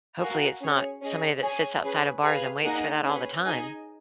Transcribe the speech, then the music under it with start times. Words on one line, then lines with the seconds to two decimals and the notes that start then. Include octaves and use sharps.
Hopefully, it's not somebody that sits outside of bars and waits for that all the time
0.21 F#4 A#4 F5 G#5
0.61 C#4 G#4 C#5
1.01 C#4 G#4 D#5
1.42 G#4 C#5 G#5
1.83 C#4 G#4 B4
2.23 G#4 B4 F5 G#5
2.64 A#3 D#4 G#4 D#5 F#5
3.05 C#4 G#4 B4
3.45 D#4 G#4 D#5 G#5